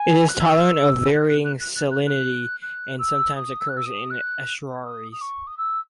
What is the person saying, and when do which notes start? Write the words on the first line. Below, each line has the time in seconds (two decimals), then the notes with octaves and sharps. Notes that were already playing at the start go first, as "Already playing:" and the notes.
It is tolerant of varying salinity and sometimes occurs in estuaries.
Already playing: G#5
0.29 F#6
0.40 E6
1.14 F#6
1.29 F#6
1.45 F#6
1.60 F#6
1.76 F#6
1.91 F#6
2.07 F#6
2.62 F#6
2.99 E6
3.36 D#6
3.61 E6
3.69 F#6
3.77 E6
3.86 D#6
4.11 F#6
4.84 D#6
5.12 D#6
5.22 C#6
5.47 D#6
5.58 E6